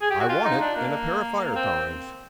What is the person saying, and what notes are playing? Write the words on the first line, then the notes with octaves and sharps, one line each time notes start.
"I want it, and a pair of fire-tongs."
G#4
G4
F#4
F4
D#4
D4
A#3
C4